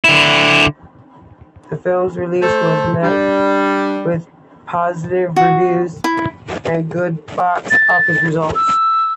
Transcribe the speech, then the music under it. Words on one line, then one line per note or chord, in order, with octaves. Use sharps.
The film's release was met with positive reviews and good box office results.
D3 E4
A3 A4 C5
G3 D4
F#4
E4
A6
E6